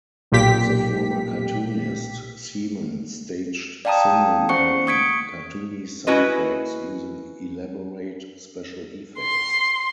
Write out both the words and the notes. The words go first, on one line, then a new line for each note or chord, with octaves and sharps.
As a former cartoonist, Semon staged similarly cartoony sight gags, using elaborate special effects.
B1 A#2 G4 B6
D5 F5 G5 A5 A#5 D#6
C#4 C5 F#5 C#6 C#7
C#6 D#6 G#6 B6 C#7 D7
C#4 E4 F#4 B4 D#5
C6